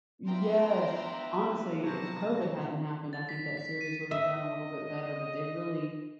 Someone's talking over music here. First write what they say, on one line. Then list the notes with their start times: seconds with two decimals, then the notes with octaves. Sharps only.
Yes. Honestly, if COVID hadn't happened, I think that series would have done a little bit better, but they really
0.28 B3 D4 E4 F4 B4 G5 A#5 C6
1.84 C3 F3 F#3 A5 A#6
3.13 A6
3.29 B6
3.57 B6
3.81 D#7
4.11 D#5 E5